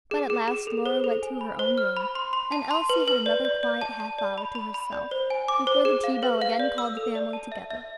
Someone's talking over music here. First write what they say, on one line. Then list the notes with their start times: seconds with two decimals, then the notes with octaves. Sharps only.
But at last Lora went to her own room, and Elsie had another quiet half-hour to herself before the tea-bell again called the family together.
0.11 G#4
0.30 G#4
0.48 G#4
0.67 A4
0.86 C5
1.04 A4
1.23 G#5
1.41 B5
1.59 C5
1.78 F6
1.97 B5
2.15 C6
2.33 C6
2.52 A5
2.71 C6
2.89 B4
3.08 B4
3.26 D5
3.45 D5
3.63 D5
3.81 A5
4.00 A5
4.18 D5
4.38 B5
4.55 B5
4.74 B5
4.92 D5
5.11 C5
5.30 G#5
5.48 D6
5.67 C5
5.85 G#4
6.04 F5
6.23 B4
6.42 F5
6.60 D5
6.78 E6
6.97 A4
7.15 D5
7.33 A5
7.52 E5
7.70 E5